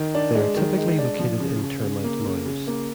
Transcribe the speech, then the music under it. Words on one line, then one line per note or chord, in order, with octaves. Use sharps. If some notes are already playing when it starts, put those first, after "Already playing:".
They are typically located in termite mounds.
Already playing: D#3
D4
G#3
D#3
G#3
D4
F3
C#3
C#3
C#3
A#3
C#3
C#3
A#3